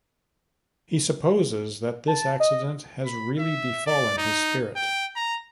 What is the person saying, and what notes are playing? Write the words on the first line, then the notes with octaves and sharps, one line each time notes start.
He supposes that this accident has really befallen his spirit.
A5
D#5
B5
E5
D5
D#4
G5
A#5